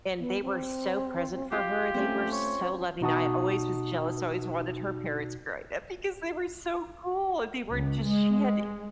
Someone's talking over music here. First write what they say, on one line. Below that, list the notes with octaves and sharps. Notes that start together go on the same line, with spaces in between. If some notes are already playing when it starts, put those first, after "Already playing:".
and they were so present for her, they were so loving, I always was jealous, I always wanted her parents growing up because they were so cool, they were just she had
B3
C4
F4 G4
A3 C4 C#4
C#5
B2 D#4 F#4 A5 D#6
C#2
G#3